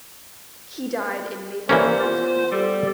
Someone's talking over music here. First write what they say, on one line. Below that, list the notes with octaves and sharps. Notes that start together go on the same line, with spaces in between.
He died in Maplewood, Missouri.
E3 A#3 C#4 G4 C5 D5
B3 F4
G3 G4 A4 D5